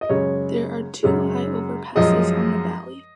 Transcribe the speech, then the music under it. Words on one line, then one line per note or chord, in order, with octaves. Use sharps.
There are two high overpasses on the valley.
D#5
F#2 C#3 G#3 C#5
F#2 C#3 G#3
F#2 F3 G#3 D#5